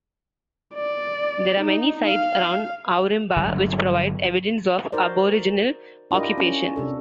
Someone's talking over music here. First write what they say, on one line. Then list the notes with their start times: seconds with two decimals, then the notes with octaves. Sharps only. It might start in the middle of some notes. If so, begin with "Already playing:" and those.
There are many sites around Ourimbah which provide evidence of Aboriginal occupation.
0.74 D5
1.60 D#4
2.07 F5
3.36 G1 D3 F#3
4.92 D#4 F#4 A#4 C5 D5
6.11 D4 E4 F4 G4 A#4 D#5
6.38 C#4
6.76 C3 D4 A4